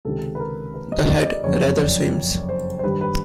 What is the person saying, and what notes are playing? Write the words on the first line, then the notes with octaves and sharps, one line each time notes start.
The head rather swims.
C#2 C3 D#3 A4
B4
A#4
B4
D#5
D5
D#5
D5
F#1 F2 C#3 C#5
D5
C5
C5
G2 D#3 G3 B4
B4